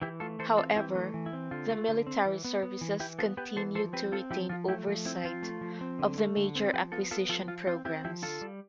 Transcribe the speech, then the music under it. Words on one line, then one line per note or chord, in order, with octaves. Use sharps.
However, the military services continued to retain oversight of the major acquisition programs.
E3 E4 G4
A3 F4 A4
E3 A4 C5
C4 F4 A4
E3 E4 G4
A3
E3
E4
C4
D3 F4
A3
D3
C4
E3
B3
B3
E3
E3 E4 G4
B3 F4 A4
B3 G4 B4
E3 A4 C5
F3 A4 C5
C4 G4 B4
C4 F4 A4
F3 E4 G4
F3 F4
A3 E4 G4
F3
C4 E4
F3 F4
A3
F3
C4
D3
A3
D3
C4
F3 G4 B4
B3 F4 A4
B3 F4 A4
F3 F4 A4
F3 F4
C4 F4
C4 E4 G4
F3 E4 G4
D3 F4 A4
G3